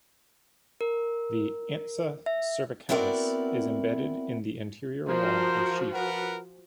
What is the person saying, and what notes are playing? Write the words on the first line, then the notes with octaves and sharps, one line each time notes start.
The ansa cervicalis is embedded in the anterior wall of sheath.
A#4
E5
B3 C4 E4 F#4 A#4 D5
F3 F#4 A#4 C5
A#4 B4 F#5